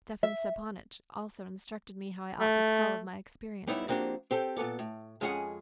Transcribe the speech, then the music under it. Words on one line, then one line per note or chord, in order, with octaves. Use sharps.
Stepan Stepanych also instructed me how I ought to tell of my experiences.
E5
A3
G3 B3 D#4 E4 C#5 D5
F3 A#3 C4 D4 F#4 G4
C4 G4 A4
A#2 B3 A4 D5
A2
F2 G#3 C#4 G#4 D#5 F#5